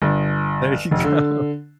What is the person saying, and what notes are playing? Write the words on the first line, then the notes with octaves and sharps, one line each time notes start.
There you go.
G1
F1
D3